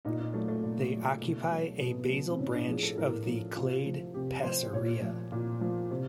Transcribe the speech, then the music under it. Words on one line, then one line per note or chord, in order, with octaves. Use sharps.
They occupy a basal branch of the clade Passerea.
A#2 D#4
D#4
F#3 A3
A3
A#2
F#3
B2
F#3
B2 B3
F#3
C4
A2 C#4
D4
F3 G#4
A4
A2 A#4
F3
C3 F4
F3
C3 G4
F3 C5
A#2 C#5
F3
A#2
F3
C3